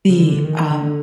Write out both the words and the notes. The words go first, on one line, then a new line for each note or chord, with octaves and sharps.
the um
C#3
D3
D#3
D3